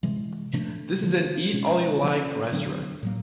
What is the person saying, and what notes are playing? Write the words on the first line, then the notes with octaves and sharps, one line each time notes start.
This is an Eat All You Like restaurant.
C3 E3 G#3
C3 F3 A3 D4
D3 F3 A#3
B2 G#3 C#4
C3 F3 A#3 C#4
D3 F#3 B3 D4
A2 F#3 A#3